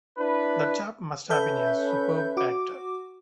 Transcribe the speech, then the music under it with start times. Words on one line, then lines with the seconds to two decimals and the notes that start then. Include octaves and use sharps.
That chap must have been a superb actor.
0.18 D4 E4 B4
1.30 C#4 A4 B4 E5 G6
2.37 F#4 D6